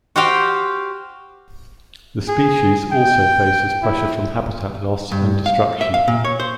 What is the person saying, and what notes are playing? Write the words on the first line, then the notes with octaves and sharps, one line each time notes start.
The species also faces pressure from habitat loss and destruction.
F#4 G4 C5 F5 G5
G#4
G5
E4
G2
F5
E5
F5
A#2
C#5
C5